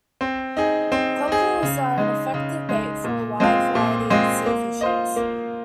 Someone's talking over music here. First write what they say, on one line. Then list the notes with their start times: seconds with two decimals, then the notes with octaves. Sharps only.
Cockles are an effective bait for a wide variety of sea fishes.
0.21 C4
0.57 D#4 G#4
0.92 C4
1.28 D#4 G#4
1.63 C#3
1.98 G#3 D#4
2.34 C#3
2.69 G#3 D#4
3.04 A#2
3.40 G#3 C4 F4
3.75 A#2
4.10 G#3 C4 F4
4.46 A#3
4.81 F4 C5 D#5
5.16 A#3